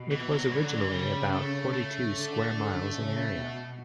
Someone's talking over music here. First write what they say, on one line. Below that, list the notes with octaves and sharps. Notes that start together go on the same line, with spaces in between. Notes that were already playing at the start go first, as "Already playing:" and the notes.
It was originally about forty-two square miles in area.
Already playing: B2
E3
F#3
D3 E3
F#3
E3
C#3 G3
A3
A3
D3
C#3
B2